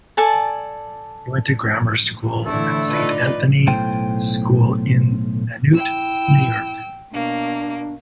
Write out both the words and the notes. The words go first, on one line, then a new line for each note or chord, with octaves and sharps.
He went to grammar school at Saint Anthony School in Nanuet, New York.
A4 D5 G#5 A5
A2 D3 E3 A3 E4 A4
D#4 F4 B4 D5
B1 A2 C5 G5
E4 G5 E6
B2 A#3 D4